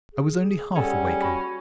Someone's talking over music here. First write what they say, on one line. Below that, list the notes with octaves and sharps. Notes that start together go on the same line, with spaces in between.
I was only half-awakened.
G#4
G3 C#4 A4 C5 F#5
F#4 B5